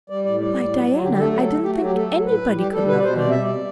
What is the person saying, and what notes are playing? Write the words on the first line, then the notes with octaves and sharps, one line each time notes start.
Why, Diana, I didn't think anybody could love me.
G3 D5
A2 D5
G3 D5
A2
F#3
F#3
D3 G4
G4
A3 A4
F#3 A4
A3
A3 G4
F#4
F#3
G4
A3 A4
F#3
A2 B4
A2
G3 G4
G3 A4
B2 B4
D5
B2 C5
C3 D5
G3 E5
D5
C3